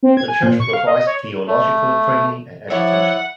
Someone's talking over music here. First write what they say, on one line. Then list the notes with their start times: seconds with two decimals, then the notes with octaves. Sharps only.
The church provides theological training and education.
0.03 C4
0.17 G#6
0.28 G#5
0.43 A#2
0.60 C#6
0.73 F5
0.87 D#5
1.07 C#5
1.48 A3
2.70 F3 E4 C#5 D5 E5 F#5